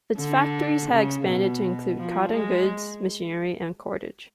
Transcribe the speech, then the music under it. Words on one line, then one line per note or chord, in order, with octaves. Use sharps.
Its factories had expanded to include cotton goods, machinery, and cordage.
D3
C#3
B2
F3
G#3